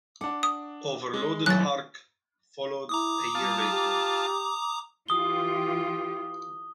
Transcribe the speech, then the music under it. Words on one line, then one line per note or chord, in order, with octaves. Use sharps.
"Overloaded Ark" followed a year later.
D4 F#5 D6
D#6
G#3
D#1 A1 F#3 F#6 A6
E4 A#5 D6 D#6
G3 F4 A5
G4
E3 F4 G4 D#6 G7